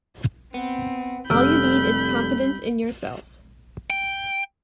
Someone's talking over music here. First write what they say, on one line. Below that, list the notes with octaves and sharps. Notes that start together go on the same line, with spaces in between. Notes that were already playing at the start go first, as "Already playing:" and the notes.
All you need is confidence in yourself.
B3 C4
F1 G2 C3 B5 E6 F6 G6 D7
G5